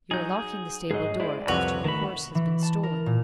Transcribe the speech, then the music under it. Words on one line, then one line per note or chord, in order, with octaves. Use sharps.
You are locking the stable door after your horse has been stolen.'
F#3 D#4 G#4 G6
G#2 F#3 G#4 D#5
G#3 E4 C5 D5
C2 F2 C3 F#4 B4 C#5
D#3 A3 B5
E3
A5
A#4
A#2